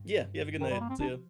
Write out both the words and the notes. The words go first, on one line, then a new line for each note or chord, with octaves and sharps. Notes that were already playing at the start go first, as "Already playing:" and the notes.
Yeah, you have a good night. See you.
Already playing: G2
D#3
G3
A#3
C4
F3 D4